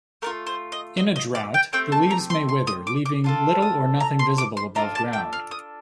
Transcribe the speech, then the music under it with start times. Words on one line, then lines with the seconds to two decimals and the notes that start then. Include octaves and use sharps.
In a drought, the leaves may wither, leaving little or nothing visible above ground.
0.22 A3 D4 F4 A#4
0.47 C5
0.72 D#5
0.97 D#5
1.16 D#5
1.35 D5
1.54 G5
1.73 A3 C4 G4 G5
1.92 A5
2.11 A#5
2.30 C6
2.49 C6
2.67 D#6
2.87 D6
3.06 D6
3.24 D4 F4 A4
3.62 D#6
4.00 A#5
4.19 C6
4.38 D6
4.57 C6
4.75 D4 F4 A4 A#5
4.95 A5
5.13 G5
5.33 F5
5.51 D#6